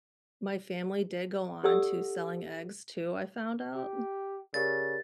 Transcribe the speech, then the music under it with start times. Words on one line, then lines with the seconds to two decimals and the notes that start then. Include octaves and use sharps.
my family did go on to selling eggs too, I found out,
1.64 G4 A4 D5 F#5 D#6 E6
3.75 G4
4.54 C#3 G4 A#4 D5 A6